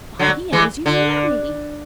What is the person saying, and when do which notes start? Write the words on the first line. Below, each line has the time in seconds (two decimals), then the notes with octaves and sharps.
Why, he owes you money!'
0.19 D3 F#3
0.52 E3 G#3
0.86 D3